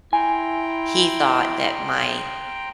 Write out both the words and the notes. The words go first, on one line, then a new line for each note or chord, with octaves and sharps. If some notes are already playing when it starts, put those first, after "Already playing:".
he thought that my
E4 G5 G#5 A#5 C6